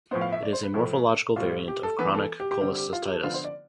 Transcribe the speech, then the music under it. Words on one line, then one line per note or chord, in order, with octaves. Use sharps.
It is a morphological variant of chronic cholecystitis.
A2 F3 B3 C5
F5
E5
D5
C5
B4
A2 F3 A3 A4
A2 G3 C4 F4
G4
A4
E3 B3 B4
A4
G4
G4
D3 G3 C4 G4
G4
F4
G4
A4
D3 F3 B3 F4
C5
D5